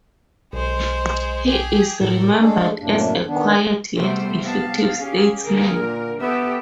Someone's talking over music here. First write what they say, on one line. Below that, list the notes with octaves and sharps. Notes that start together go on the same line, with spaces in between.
He is remembered as a quiet, yet effective statesman.
B1 G#3 C5
G4 G#4
A2 A4 A#4
G#3 A3 D4 G#4 A4
F#2 A2 C3 A#3 D4
D#3 B3 D4
C3 G3 A3 B3 G4 C5
B3 F5 A5
C#4 G4 G#4
D3 A#3 A#4
A#2
B3 G4 A4 E5